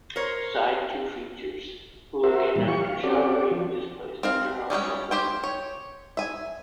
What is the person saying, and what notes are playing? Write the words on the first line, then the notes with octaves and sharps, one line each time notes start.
Side two features "Hooligan" after "Shock Me", which is placed after "Hard Luck Woman".
A#4 C5 C#5
F#4 A#4 C5 E5
A#2 E3 G3
F3 G4 C#6
F5
C4 C#4 F#4 G4 A4 D5
F3
C4 A#4 F5
G3 G#3 C#4 G5
G4 C5 G5
C#5
E5 G#5